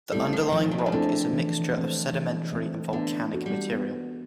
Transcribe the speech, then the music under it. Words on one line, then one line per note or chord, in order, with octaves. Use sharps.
The underlying rock is a mixture of sedimentary and volcanic material.
G3 A3 C4 E4 A4
F3
D#3 F3
A#2
B2
C3
C#3
D3 A3 C4 E4 A4
E3
A3 C4
E3
A3 C4
D3 B3
D4 F#4 A4
G3
B3